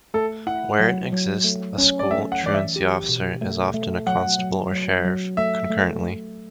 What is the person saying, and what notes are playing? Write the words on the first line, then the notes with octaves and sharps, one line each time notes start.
Where it exists, a school truancy officer is often a constable or sheriff, concurrently.
A3 A4
E4 F#5
F#3
F#3
A3
C#4
D5
A3 E5
F#5
E3 D5
E5
G4
B2
A3
A3
F#3 F#5
F#3
F#3
F#3
A3 E5
A3
A3